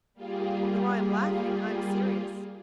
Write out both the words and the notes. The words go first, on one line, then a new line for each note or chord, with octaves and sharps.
Though I am laughing, I am serious.
G3 A#3 F4 G4 G#4